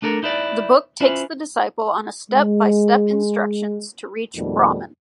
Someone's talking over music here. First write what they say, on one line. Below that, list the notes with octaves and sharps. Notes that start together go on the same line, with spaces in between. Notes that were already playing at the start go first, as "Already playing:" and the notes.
The book takes the disciple on a step by step instructions to reach Brahman.
A3 D4 A4 A#4
D#4 E4 B4 D5
C#4 E4 F4 B4 C5
G#3
F2 G#2 B2 D#3 G3 A3